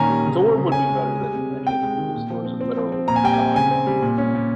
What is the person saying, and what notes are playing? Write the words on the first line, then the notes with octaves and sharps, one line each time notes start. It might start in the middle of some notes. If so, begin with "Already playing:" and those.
Thor would be better than any of them because Thor's a literal god walking around.
Already playing: A#2 D#3 C#4 G#5 A#5
G3
C#3
C4
C#3
C#4 G#5
G#3
G#3
G3
C3
C#4
C3 G5
G#3
D#3
A#2
F3
C4
C4
F3
C4
A#2 A#5
G#5
G3 G5
G#5
C4
C#3 G#5
C4
G3
A#2
C#4
A#2